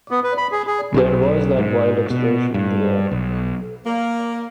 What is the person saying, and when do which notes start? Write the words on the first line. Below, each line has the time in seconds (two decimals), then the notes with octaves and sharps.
There was that wild exhilaration in the air.
0.11 B3
0.24 B4
0.38 B5
0.52 G#4
0.67 G#4
0.94 B1
1.58 G#2
2.10 B2
2.54 G2
3.11 B1
3.86 A#3